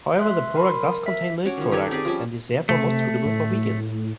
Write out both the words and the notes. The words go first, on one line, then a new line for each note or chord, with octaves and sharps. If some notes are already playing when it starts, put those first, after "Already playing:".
However, the product does contain milk products and is therefore not suitable for vegans.
E5 C6 F#6
A#4 B5 C6
A#4
E5 B6
C#4 F#4 C#5 D6
D#3 F3
D#4 G4 A4 C#5
C4 G4 G#4 D5
F3 G3 C#4
C3 A3
A2